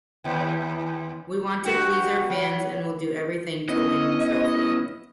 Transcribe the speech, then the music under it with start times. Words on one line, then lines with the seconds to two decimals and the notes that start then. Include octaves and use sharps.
We want to please our fans and will do everything to win trophy.
0.24 D#2 E3
1.64 G2 F#4 G4
2.30 F#3
3.69 B3 C#4 E4 D#5